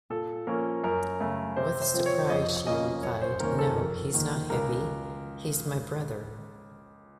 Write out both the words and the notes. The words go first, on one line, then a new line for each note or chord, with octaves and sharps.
With surprise she replied, No, he's not heavy; he's my brother.
A#2 A4
F3 A#3 C#4 A#4
F#2 A#4
C#3 A3
C3 C5
C5
F3 C4
C#5
F2 D#5
C#3 F3 A#3 C#4 D#5
F#2 C#5
C5
D#3 A#3 C#4 A#4
A4
F2 A#4
D#3 A#3
C#2 A#4